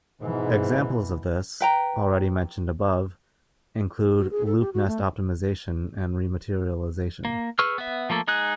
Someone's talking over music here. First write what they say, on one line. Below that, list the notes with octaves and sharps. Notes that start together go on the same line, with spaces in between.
Examples of this, already mentioned above, include loop nest optimization and rematerialization.
G#2 B2 E3
B4 G5 A#5
F#4
G#4
A4
G4
F#4
A3
A#3
G#4 B4 C#6 E6 F6
B3 E5
F3 A3 A#3 A4
G#3 D#4 G#4 F#6